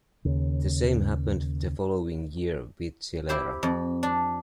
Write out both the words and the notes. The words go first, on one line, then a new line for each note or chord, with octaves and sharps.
The same happened the following year with Gilera.
D#2 C#3
E4 G4 C5
F2
D4